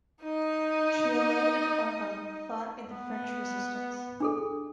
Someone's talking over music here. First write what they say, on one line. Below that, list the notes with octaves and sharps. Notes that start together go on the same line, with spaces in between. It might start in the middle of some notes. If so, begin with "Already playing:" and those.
Triolet and Aragon fought in the French Resistance.
D#4 D#5
B3
D4 G#4 A4